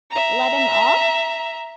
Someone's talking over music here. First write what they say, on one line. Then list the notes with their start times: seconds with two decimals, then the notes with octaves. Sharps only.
Let him off?
0.11 E5 A#5